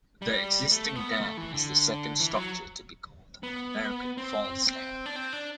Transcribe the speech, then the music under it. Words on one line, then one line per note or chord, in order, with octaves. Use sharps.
The existing dam is the second structure to be called the American Falls Dam.
G3
A3
B3
A3
E3
D3
E3
F#3
B3
C4
C4
D4
C4
D4